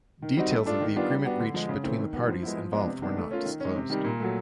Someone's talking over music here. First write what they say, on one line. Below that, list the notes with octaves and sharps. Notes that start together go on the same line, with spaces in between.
Details of the agreement reached between the parties involved were not disclosed.
D#3
G3 C4 D#4 F#4
A3
D4 F4 A4
D#3
G3 B3 D4 F4
G3
B3 D4 F#4
D3
F3 G#3
C#3
E3 A3 C4
D#3
G3 B3
F3
G#3 B3 E4
F3
G#3 B3 D4
C3
D#3 G#3 B3 D4
A3
C#4 F4 A#4
D#3
G#3 C#4
C3
D#3 G3
A#2
F#3 A3